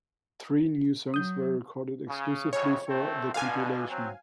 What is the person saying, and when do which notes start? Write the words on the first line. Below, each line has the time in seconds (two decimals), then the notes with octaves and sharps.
Three new songs were recorded exclusively for the compilation.
1.14 F#3 D#6 G6
2.08 C#3
2.53 F2 A2 C#3 C#5
2.88 A#1 A3 C4
3.34 B2 D3 F5 G#5
3.89 F#3 C4